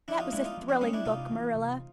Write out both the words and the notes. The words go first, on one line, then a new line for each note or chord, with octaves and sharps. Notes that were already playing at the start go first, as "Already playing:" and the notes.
That was a thrilling book, Marilla.
F3 D4 E4
D#4 F4
G#3 B3 D4 E4
D#4 F4
F3
C4 D4
G#3 B3 C#4 D#4
D4 E4
C3 D#4 F4
E3 A3
C3